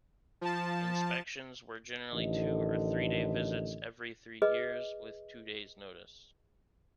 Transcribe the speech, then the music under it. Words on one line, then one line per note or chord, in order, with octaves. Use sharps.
Inspections were generally two- or three-day visits every three years, with two days' notice.
F3 A5
A1 A2 D3 D#3 D#5
G#4 B4 D#5